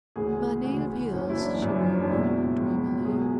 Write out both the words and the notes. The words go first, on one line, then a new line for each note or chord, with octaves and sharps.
"My native hills!" she murmured, dreamily.
D2 C#3 E3 G#4
D2 C#3 E3
F#1 F#2 E3 C#4
E4
D4
F#1 F#2 E3
C#4
D4
C#2 B2 E4
C#2 B2
C#2 B2 G#4
G#4